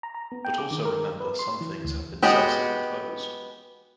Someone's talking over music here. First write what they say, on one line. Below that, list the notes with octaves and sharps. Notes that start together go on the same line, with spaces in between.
But also remember some things have been sensibly closed.
A#5
A#5
B3
G5
D6
D#3
A#4
B4
C6
E3
D2
G#3 B3 F#4 G4